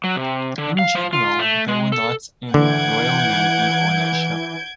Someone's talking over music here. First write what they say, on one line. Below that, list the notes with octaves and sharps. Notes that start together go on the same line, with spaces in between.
In general, they were not in Royal Navy ownership.
F#3
C3
D3
F5
F3
F4
A3
G#3
A4
D3 E3 F#5 G6 G#6 D7